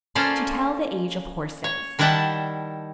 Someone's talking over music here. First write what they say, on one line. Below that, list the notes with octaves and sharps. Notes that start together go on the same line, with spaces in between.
To Tell the Age of Horses.
A#3 C#4 F4 A4 C5 D5
C#5
D#3 G3 E4 F#5 G5 A5